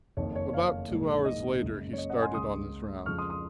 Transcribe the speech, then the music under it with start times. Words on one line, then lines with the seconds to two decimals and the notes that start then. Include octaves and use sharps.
About two hours later he started on his round.
0.17 F#1 F2 D#3 C#5
0.36 C#5
0.53 C#5 F5
0.89 A#1 G#2 D#3 G#3
1.25 D#5
1.62 F#1 F#2 C#3 G#3
1.93 C#5
1.98 D#5
2.10 D#5 F#5
2.22 G#5 C6
2.33 C#2 C#3 G#3 C6 D#6
3.06 F2 C#3 F3 G#3 C#6 F6
3.18 C6 D#6
3.30 C6 D#6